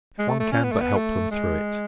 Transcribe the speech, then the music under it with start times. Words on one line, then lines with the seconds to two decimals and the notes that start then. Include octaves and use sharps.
If one can but help them through it!
0.19 G#3
0.29 A3
0.40 A3
0.52 C#4
0.63 B3
0.72 A3
0.81 B3
0.97 A3
1.31 G#3